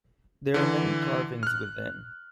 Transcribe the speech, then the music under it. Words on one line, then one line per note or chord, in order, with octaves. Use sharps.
There are many carvings within.
D3 E3
F6 F#6